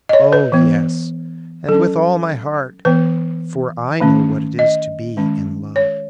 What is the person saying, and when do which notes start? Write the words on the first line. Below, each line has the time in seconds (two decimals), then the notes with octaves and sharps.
"Oh, yes, and with all my heart; for I know what it is to be in love."
0.09 D#5
0.13 C#5
0.33 B4
0.52 E3 B3
1.68 F#3 C#4 A4
2.85 E3 B3 B4
4.00 D#3 A3 C#4
4.59 D#5
5.17 D#3 G#3 C#4
5.76 C#5